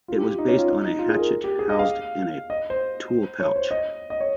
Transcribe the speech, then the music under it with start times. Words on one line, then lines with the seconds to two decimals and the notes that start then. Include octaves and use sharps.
It was based on a hatchet housed in a tool pouch.
0.08 F4
0.18 G4
0.29 F4
0.38 D#4
0.48 C#4
0.58 F4
0.69 D#4
0.83 D#4
0.99 F4
1.09 G#4
1.19 A#4
1.44 G4
1.59 G#4
1.70 D#5
1.79 F5
2.50 D#5
2.70 C5
3.40 C#5
3.56 C5
3.71 D#5
4.10 D#5
4.20 C#5